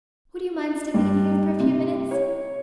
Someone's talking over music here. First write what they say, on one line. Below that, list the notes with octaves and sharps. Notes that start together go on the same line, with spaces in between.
Would you mind stepping in here for a few minutes?
G2
C3
C#5